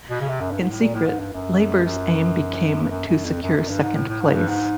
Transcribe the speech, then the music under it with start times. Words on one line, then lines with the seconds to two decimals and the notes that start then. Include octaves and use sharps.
In secret, Labour's aim became to secure second place.
0.10 B2
0.21 C#3
0.28 C3
0.41 F#2
0.51 G2
0.61 G#2
0.70 A2
0.81 A#2
0.94 A2
1.06 G#2
1.19 G2
1.33 F#2
1.85 F#2
2.83 G2
2.90 F#2
3.08 F#2
3.25 F2
3.42 F#2
3.56 F#2
3.69 G2
3.82 G#2
3.95 A2
4.08 A2
4.21 G#2
4.34 G2
4.48 G#2